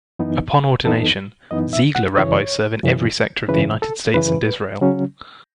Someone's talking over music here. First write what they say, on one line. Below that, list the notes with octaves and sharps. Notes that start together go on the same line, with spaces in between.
Upon ordination, Ziegler rabbis serve in every sector of the United States and Israel.
F#2 E3 B3 D#4
F#2 E3 B3 D#4 A4
F#2 E3 B3 D#4 D#5
E5
F#5
F#2 C#3 E3 C#5
F#2 C#3 E3
F#2 C#3 E3 B4
A4
F#2 C#3 E3 B4
C#3 F#3 C#4